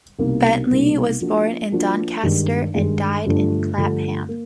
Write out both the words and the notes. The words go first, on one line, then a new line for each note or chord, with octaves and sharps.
Bentley was born in Doncaster, and died in Clapham.
C2 B2 G3 A#3 D#4
C2 B2 G3 A#3 D#4
F3 A#3 D4 F#4
F3 A#3 D4 F#4
G2 D#3 G#3
G2 D#3 G#3
G2 D3 F3 A3 D4
G2 D3 F3 A3 D4
A#3